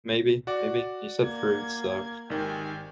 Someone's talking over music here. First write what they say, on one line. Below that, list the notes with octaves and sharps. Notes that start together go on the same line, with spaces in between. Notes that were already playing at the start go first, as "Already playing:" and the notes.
maybe maybe. You said fruits, so,
F#4 D5
A#3 G#6
G#1 D#3 G4 G#5